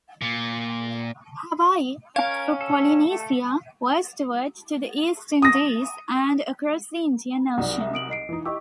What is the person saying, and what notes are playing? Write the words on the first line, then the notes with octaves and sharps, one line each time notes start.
Hawaii, up through Polynesia, westward to the East Indies and across the Indian Ocean.
A#2
C#4 A#4 C#5 F5
A4
A3
D#6 A#6
C2 F#3 D#4 D5 F#5
E5
D#6 D7 F#7
D#5 C7 D7
E3 D#4
E4 G4 D#5 C#6 D6 E6